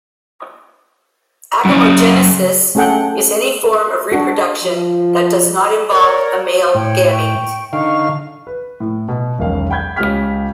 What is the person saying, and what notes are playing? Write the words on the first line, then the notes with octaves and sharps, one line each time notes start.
Agamogenesis is any form of reproduction that does not involve a male gamete.
F#2 C#3
A3 C#4 G#4 A4 F#5 G5
D4 F#4
F3
A#4 C#5 D5
A2 C#5 G5
G5 C#6
D3 D#4 F5 C#6
B4
A2
B2
E1 B1 D#3 C#4 F5 G5
F#5 G5 B5 G6 G#6
C#2 C#4 G4 G5 F6 B6